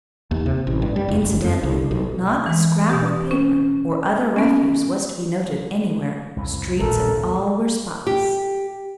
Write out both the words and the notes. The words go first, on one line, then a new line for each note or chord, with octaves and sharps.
Incidentally not a scrap of paper or other refuse was to be noted anywhere--streets and all were spotless.
D#2
C3
A1
G2
G3
F1
F#1
F2
C2
B1
E3 G#3
B2 G4
C#4
B3 C#4
C2 F2 A2
A#1 D#2 A2 D3 A3 A4 A#4
G4